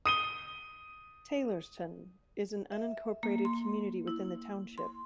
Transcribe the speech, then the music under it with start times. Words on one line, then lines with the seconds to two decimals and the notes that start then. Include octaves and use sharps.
Taylorstown is an unincorporated community within the township.
0.05 D#6 D#7 G7
2.72 E5
3.23 A#3
3.45 C6
4.08 E4
4.78 C6